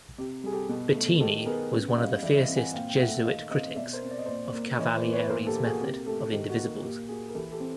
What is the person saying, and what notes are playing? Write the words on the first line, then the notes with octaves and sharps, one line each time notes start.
Bettini was one of the fiercest Jesuit critics of Cavalieri's method of Indivisibles.
C3 G4
G3 G#4
G4 A4
B2
A3
D#3 G4 A4
B3 G#4 A#4
C#3
F#5
G3 D#5 F5
E3 D5 E5
E5
D#5 F5
C4
F#5 G#5
A#2 F5 G5
G5
A3 E5 F#5
D#3 D#5 F5
C4 D#5 F5
B2 D5 E5
A#4 C5
C4
D5
D#5
A#2 C5 D5
A#3
E3 C#5 D#5
C5 D5
B3
B4 C#5
A#2 A#4 C5
G4 A4
A#3
F#4 G#4
C3 G4
A3 G4 A4
D#3 G4
F#4
A#3
F#4
A#2 G4
A#3 F#4 G#4
A#4
E3 G4 A4
G4 A4
C4